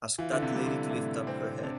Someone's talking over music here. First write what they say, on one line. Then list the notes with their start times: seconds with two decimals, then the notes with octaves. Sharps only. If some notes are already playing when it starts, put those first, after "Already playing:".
Ask that lady to lift up her head!
0.18 E3 F4
0.32 D3
0.42 C3
0.54 G3
0.66 D3
0.91 A2
1.27 C4
1.63 C3 D4